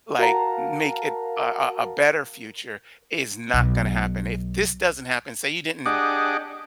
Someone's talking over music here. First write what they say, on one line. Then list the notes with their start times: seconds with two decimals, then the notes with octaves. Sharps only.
like, make it a a a better future, is not gonna happen. If this doesn't happen say you didn't,
0.19 F#4 A#4 F5 F#5 A5 A#5
3.54 B1
5.86 D4 G4 G#4 D#5 F#5 D6